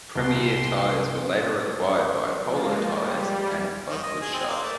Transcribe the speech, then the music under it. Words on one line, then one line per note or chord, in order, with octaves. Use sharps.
Premier Tyres were later acquired by Apollo Tyres and club was shut.
C2 G4 C6
F3 G#3 A#3 F4
G3
D#3
D#5
G#4
C4
A#3
A3